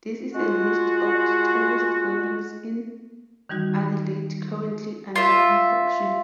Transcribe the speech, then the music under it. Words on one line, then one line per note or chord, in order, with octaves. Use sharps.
This is a list of the tallest buildings in Adelaide currently under construction.
G#3 F4 F#4
D#3 E3 G3 D#4 F#4
F4 E5